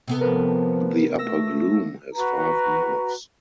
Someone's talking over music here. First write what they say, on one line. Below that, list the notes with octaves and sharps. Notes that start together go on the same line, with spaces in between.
The upper glume has five nerves.
C3 B3 A4
F3 A#4 B4
A3 E6 A#6
F#4 B4 A#5